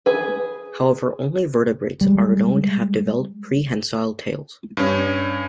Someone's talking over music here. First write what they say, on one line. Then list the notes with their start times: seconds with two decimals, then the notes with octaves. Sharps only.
However, only vertebrates are known to have developed prehensile tails.
0.06 G#4 B4
2.01 G3 G#3
4.77 G2 C#4